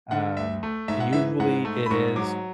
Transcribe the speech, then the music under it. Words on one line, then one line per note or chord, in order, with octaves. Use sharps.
um, usually it is
D3 F#5
D2 E5
A3
G#2 E5
F#5
E3 E5
G#2 F#5
A3
B5
G#2 C#6
F#3 D6